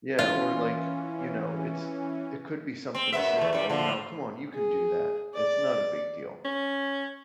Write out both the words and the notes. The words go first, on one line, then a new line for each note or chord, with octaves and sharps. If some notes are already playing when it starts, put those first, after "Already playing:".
Yeah, or, like, you know, it's it could be something simple, you know? "Come on, you can do that, it's not a big deal."
E3 C#4 F4
C4
F#2 B3 E5
E2 A3
F#2 G3
D3 F3
G#4
D5
C#4